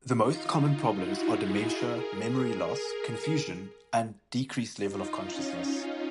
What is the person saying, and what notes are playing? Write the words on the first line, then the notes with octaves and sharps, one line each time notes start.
The most common problems are dementia, memory loss, confusion, and decreased level of consciousness.
D#4 F4
E4 F#4
F#4 G#4
G#4 A#4
D#4 F4
C#4
C#4